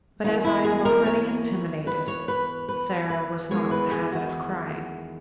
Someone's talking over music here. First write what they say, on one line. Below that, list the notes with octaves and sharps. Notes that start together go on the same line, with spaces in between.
But, as I have already intimated, Sara was not in the habit of crying.
E2 B2 A#3 C#4 D#4
E4
G#4
A#4
C#5
B4
C#5
B4
B4
B4
E2 D#3 G#3 C#4 C#5
B4
G#4
F#4